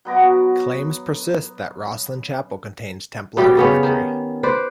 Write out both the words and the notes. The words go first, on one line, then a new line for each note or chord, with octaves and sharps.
Claims persist that Rosslyn Chapel contains Templar imagery.
F#3 B3 A#5 D6
B2 G3 G4
C#3 B3 C#4
D#3
B4 C5 D5